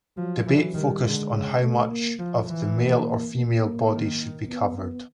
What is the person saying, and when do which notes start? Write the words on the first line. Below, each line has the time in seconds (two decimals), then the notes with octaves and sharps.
Debate focused on how much of the male or female body should be covered.
0.17 F3 F#3
0.46 E3 F#3
0.74 D#3 G3
1.03 D3 G#3
1.32 C#3
1.61 A3
1.89 A#3
2.19 F3
2.47 E3
2.76 A#3
3.34 A#3
3.91 D#3
4.48 B3
4.77 B3